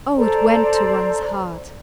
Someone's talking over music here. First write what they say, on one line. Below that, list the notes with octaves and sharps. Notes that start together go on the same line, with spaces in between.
O! it went to one's heart!
A4 C5 D5 A#5